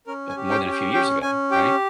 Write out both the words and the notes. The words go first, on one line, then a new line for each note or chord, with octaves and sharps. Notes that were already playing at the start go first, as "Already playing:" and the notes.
more than a few years ago, right,
C#4 A#4
G#5
G4
G5
C#4
G5
C#4 G5
C#4 G#5
G4 G5